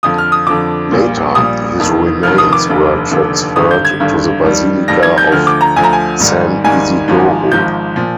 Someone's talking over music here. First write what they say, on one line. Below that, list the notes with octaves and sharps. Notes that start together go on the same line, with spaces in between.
Later, his remains were transferred to the Basilica of San Isidoro.
F2 D3 F3 D#6
F6
D#6
F2 D3 F3 D6
A#1 A#2 G3
A#1 A#2 G3 D#6
F1 F2 D#3
F1 F2 D#3 F6
D#6
D6
F1 D#2 D3
F1 D#2 D3
G#1 G2 D3 D#6
G6
G#6
G#1 G2 D3
F2 D#3 G3
F2 D#3 G3 A#6
G#6
G6
D2 D3 F3 F6
D6
A#5
D2 D3 F3 G#5
A#5
G#5
G#1 G#2 D#3 G3
G#1 G#2 D#3 G3 G#5
G#1 G#2 F3
G#1 G#2 F3 G6
A#2 F3